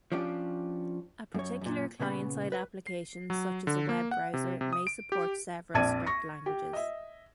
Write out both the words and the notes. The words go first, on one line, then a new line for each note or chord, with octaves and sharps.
A particular client-side application, such as a web browser, may support several script languages.
F3 C#4 D4 F4 G4
F#2 C#5
F#2 A#2
A#2 C#3 B3 C#5 B5
B4
C7
F#3
D3
A#3
F#5
C3
C3
D#6
D7
G4
A#1 F2 D5 A5 G#6 D#7
C#6 A#6
G4
D#5 E5